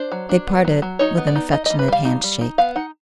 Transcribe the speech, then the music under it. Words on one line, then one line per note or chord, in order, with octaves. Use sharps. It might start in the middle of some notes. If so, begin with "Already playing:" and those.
They parted with an affectionate handshake.
Already playing: D4 C5
F#3
D4
B3
F#3
F#3
D#4 C#5
B3
D5
D#4
D#4 D#5
D#5
G3
B4
G3 F5
D#4
G3
D#4
B3 F5
D#4 F#5